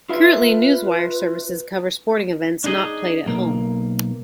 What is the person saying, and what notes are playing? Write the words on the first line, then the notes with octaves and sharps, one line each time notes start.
Currently, news wire services cover sporting events not played at home.
F4 B4 E5
D4 D#4 G#4 D#5
B1 A#3